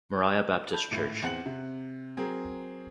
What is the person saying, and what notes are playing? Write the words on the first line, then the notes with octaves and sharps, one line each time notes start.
Moriah Baptist Church.
A5 B5 G6
G#1 A2
E2 C4 F#5 F#6 C#7 F#7
C3
F#3 C4 G#4 A#4